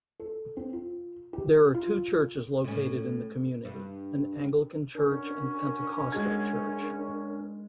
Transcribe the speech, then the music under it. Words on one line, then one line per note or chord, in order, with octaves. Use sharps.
There are two churches located in the community, an Anglican church and Pentecostal church.
A4
C4
F4
G4
F4
A2 C#4
G2
F#2 C#4 D4 A#4
G#3 G#4 G#6